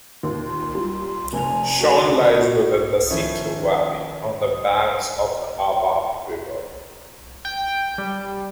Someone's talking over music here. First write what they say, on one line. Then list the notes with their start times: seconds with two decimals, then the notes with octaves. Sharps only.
Seon lies within the Seetal valley, on the banks of the Aabach river.
0.23 D#2 A#2 C6
0.73 G3 F4
1.33 F1 G#5 F7
1.79 F#4
3.10 D#3 F3 C#4 E4 A4
7.45 G5
7.98 G3